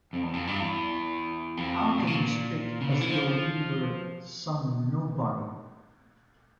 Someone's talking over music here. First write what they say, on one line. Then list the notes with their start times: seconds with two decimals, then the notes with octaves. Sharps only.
How can you speak as though you were some nobody?
0.13 F2
0.23 E2
0.33 F2
0.47 G2
0.60 E2
1.57 F2
1.98 A#2
2.07 C#3
2.15 A#2
2.81 C#3
2.90 D3
3.01 E3
3.11 F3